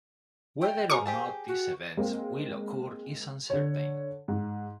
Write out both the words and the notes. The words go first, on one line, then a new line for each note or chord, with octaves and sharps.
Whether or not these events will occur is uncertain.
G5
F#4 G#4 A#4 C5 C#6 D6
G4 G#4 C5 A5
F#4
G#3 A#3 C4
D3 C#5
G#2